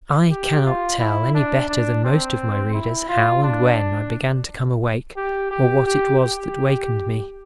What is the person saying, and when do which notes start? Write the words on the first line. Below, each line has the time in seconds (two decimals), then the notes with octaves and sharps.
I cannot tell any better than most of my readers how and when I began to come awake, or what it was that wakened me.
0.30 G4
0.65 F4
0.99 E4
1.34 D4
1.69 D4
2.04 C4
2.73 E4
3.08 F4
3.43 D4
5.16 G4
5.51 G4
5.86 G4
6.20 G4